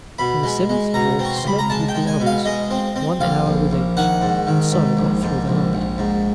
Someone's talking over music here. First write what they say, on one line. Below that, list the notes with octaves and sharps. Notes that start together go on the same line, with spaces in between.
And the seventh dwarf slept with the others, one hour with each, and so got through the night.
B2 B5
G#3
G#3
B2 A#5
C4
C#6
C6
C#2 B5
A#5
G#3 A5
G5
G#3
G#5
B2
F5
G#3 D#5
C4
C4
A#1 F5
A#1
A#1
D#3 F#5
G#2
D#3
G#2
A#1
G#2
A#1
A#1
G#2